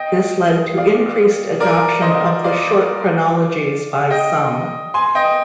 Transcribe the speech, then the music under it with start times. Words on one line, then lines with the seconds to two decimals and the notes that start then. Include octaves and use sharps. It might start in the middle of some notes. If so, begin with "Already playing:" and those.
This led to increased adoption of the short chronologies by some.
Already playing: D#5 G5
0.77 D5 F5
1.60 A#4 D5
2.02 C5 D#5
2.44 D5 F5
4.10 D#5 G5
4.94 G#5 C6
5.15 D#5 G5